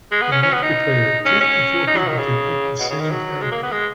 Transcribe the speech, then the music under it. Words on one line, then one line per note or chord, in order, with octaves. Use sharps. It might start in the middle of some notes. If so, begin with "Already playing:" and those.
In multiplayer, two to four people can pick the same character.
G#3
B3
C#4
C#4
B3
D#4
C#4
C#4
D#4
F#3
D#3
C#3
B2
C#3
D#3
F#3
G#3
A#3
B3
G#3